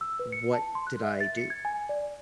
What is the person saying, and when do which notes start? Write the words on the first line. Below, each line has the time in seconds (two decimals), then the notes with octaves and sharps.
what did I do?
0.01 E6
0.19 B4
0.32 C#7
0.53 A5
0.75 C6
0.87 F#6
1.03 E5
1.20 A6
1.37 C#7
1.50 G#6
1.65 G#5
1.89 D5